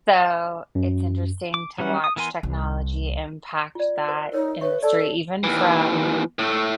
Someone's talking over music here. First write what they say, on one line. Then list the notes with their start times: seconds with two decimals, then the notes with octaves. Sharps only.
so it's interesting to watch technology impact that industry even from,
0.75 F#2
1.54 D6
1.78 F#3 G3 C#4 F#5
2.04 D#6
2.16 E3 B3 A#4 G#5 C6
2.43 C2
3.75 F4 D5
4.08 A#4 C5
4.34 D#4 A#4 C#5
4.61 B4 C#5 E5 C#6
4.83 A4 D5 A5
5.44 D#2 E3
6.39 A2 A3